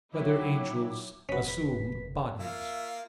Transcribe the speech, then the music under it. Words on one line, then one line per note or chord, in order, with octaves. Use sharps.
Whether Angels Assume Bodies?
F#3 D#4 E4 G5 D6
F#1 E2 C#4 F#4 B4 B6
A#3 F4 E5 F5